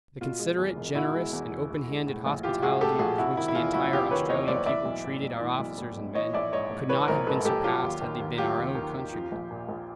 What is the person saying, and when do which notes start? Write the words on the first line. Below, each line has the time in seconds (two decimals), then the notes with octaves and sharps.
The considerate, generous, and open-handed hospitality with which the entire Australian people treated our officers and men could not have been surpassed had they been our own countrymen.
0.21 B2 F4
0.39 G#3
0.58 E2
0.77 E1
0.95 B2 E4 F#4
1.13 G#3
1.33 E2
1.52 E1
1.70 E3
1.88 G#3
2.07 A2
2.26 A#1
2.43 E3 F4 G4
2.62 G#3 F#4 G#4
2.81 A2 G4 A4
2.99 A#1 F#4 G#4
3.18 C3 E4 F#4
3.37 D#3 E4
3.48 E4
3.55 E2 F4
3.74 F#1 E4 F#4
3.92 C3 F4 G4
4.11 D#3 B4 C#5
4.29 E2 C#5 D#5
4.48 F#1 C5 D5
4.66 E3 D5 E5
4.85 B1
5.04 A2
5.23 B1
5.41 E3
5.59 B1
5.78 A2
5.97 B1
6.15 E3 C#5 D#5
6.34 A#1 D5 E5
6.52 G#2 C#5 D#5
6.71 A#1
6.89 E3 B4 C#5
7.08 A#1 A#4 C5
7.26 G#2 A4 B4
7.45 A#1 G4 A4
7.64 F#3 F4 G4
7.83 D#2
8.01 D#3
8.20 D#2
8.38 F#3 F4 G4
8.57 D#2
8.75 D#3
8.95 D#2
9.13 F3
9.32 A#1
9.51 A#2
9.69 A#1